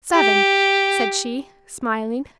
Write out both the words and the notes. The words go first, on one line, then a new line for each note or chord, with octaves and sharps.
"Seven," said she, smiling.
G4